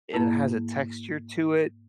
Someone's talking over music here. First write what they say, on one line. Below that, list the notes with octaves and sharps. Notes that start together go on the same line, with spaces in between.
it has a texture to it
G#2 A#3 E4 A5